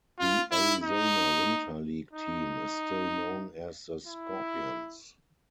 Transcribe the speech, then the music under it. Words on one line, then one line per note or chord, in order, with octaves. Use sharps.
The Arizona Winter League team is still known as the Scorpions.
F4
E4
D#4
D#4
E4